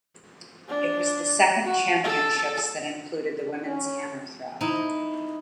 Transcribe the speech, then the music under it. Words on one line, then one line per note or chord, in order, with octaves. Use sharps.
It was the second championships that included the women's hammer throw.
D4
F#4
A4
C#4
D#4 E4